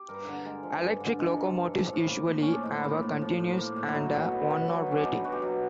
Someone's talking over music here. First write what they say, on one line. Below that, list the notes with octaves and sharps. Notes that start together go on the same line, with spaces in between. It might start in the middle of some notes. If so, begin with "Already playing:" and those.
Electric locomotives usually have a "continuous" and a "one-hour" rating.
Already playing: G4
G2 A#4
D3
G#3
F3
G2
D3
G#3 A4
A#4
F3
A4
G2
F3
A2
A#3
A2
F3 C#4
D4
A2 D#4
E4
A#3 F4
A2
F3
A2
A#3
A2
E4
F#3 D#4
B2
B3
B2
F#3
B2 C#4
D4
B3 D#4
B2 F#4
G4
F#3